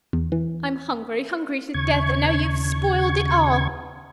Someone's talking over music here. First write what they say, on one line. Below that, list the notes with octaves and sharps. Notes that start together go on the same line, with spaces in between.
I'm hungry, hungry to death, and now you've spoiled it all!
E2
E3
D#2 C#3 C#6 G#6